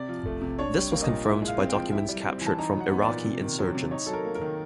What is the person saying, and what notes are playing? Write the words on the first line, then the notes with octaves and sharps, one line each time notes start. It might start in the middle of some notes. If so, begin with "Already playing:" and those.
This was confirmed by documents captured from Iraqi insurgents.
Already playing: C3 D5
F3
A3
C3
D4 C#5
G3
A#3
D#5
A#2
E4
G#3
F5
C4
F3 G5
E4
G3
C4
E3
A5
D#4 A#5
F#3
F#5
B3
D5
A#2
C3
D#3
F#3
C3
D#4 C#5
F#3 A4
A#4
A#3
A#4
D#3